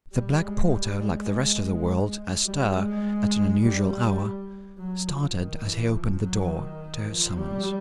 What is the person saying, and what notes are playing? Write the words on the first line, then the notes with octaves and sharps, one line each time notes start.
The black porter, like the rest of the world, astir at an unusual hour, started as he opened the door to her summons.
G3
G#3
G3
G#3
G3
G#3
G3
G3
F#3
F3
D#3
E3
F3
F#3
D#3
F3
G3